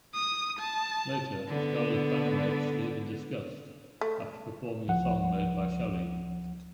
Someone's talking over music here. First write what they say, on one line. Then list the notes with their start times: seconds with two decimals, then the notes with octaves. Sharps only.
Later, Skyler's bandmates leave in disgust after performing a song made by Shelley.
0.14 D#6
0.59 A5
1.47 D3 B3
4.01 A3
4.87 C#2 F3 F#5